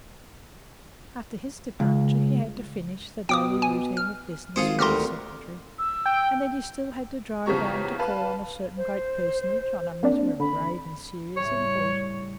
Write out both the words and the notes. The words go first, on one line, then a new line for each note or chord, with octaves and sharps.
After his departure, he had to finish the daily routine of business with his secretary, and then he still had to drive round to call on a certain great personage on a matter of grave and serious import.
C#2
B2 G5 D6 D#6
G#5
F6
G#1 F4 G#4 C5 C#7
D2 G3 A#4 C6 F6
E6
G5
E2 C#3 F3 G3 A#5 C#6
B4 F5 A5
C5
A#3 C4 D4
D3 B5
A2 C#3 G3 C#5